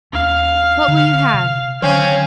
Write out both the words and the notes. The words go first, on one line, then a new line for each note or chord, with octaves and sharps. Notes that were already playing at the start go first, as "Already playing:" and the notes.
What will you have?
D#2 C#4 F5
D3
C3
D3 D#3 F#3 C4 C#4 F5 G#5